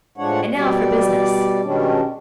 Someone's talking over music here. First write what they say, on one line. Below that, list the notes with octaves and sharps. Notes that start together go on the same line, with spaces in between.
And now for business.
A2 F3 G#3 D4 C#5 F#5
B2 G3 D5
B2 D#3 G3 G#3 C#4 D4